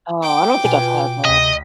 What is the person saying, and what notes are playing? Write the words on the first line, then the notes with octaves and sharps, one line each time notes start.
Oh, I don't think I've had that.
G5 D6
B2 F4 B4 G#5
D2 C3 D#5 B6